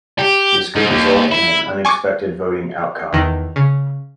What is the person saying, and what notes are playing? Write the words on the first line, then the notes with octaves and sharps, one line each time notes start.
This could result in an unexpected voting outcome.
G4
G#2
D#2
E4
G#5 C#6 D6
E2 D#3
C#3